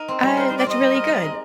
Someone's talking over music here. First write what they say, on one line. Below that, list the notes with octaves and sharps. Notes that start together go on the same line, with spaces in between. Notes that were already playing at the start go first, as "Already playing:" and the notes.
Uh, that's really good.
Already playing: D#4 A#4
C4
G3
A#4 C5
C5
D#4
D5
C4 D#5
G3
A#4
D#4
G#3